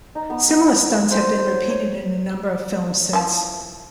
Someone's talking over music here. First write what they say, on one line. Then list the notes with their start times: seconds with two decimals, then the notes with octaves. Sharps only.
Similar stunts have been repeated in a number of films since.
0.15 D#4
0.30 B3
0.49 B3
0.66 F#5
1.11 C5
1.47 C#5
1.70 C#5
3.13 E3 F3 A5